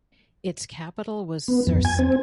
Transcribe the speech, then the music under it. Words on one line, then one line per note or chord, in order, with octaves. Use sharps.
Its capital was Czersk.
B3
F2
G#5
C4